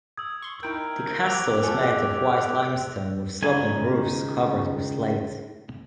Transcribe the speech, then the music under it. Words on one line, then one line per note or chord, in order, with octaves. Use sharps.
The castle is made of white limestone, with sloping roofs covered with slate.
D#6 E6 G#6
C6 C#6
D#4 E4 A#4 G5 G6 D7
F3 G4 E6 F#6 F7
A#3 F4 A4 G#5 A5
G#4 D5
C#2 D#3 G#5